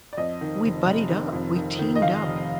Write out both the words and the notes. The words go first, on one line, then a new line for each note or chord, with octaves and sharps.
we buddied up, we teamed up.
D5
F2 D#5
D#3
F1
F1
D#3
F2
D#3
D#3
D#5
D#3 F5
F1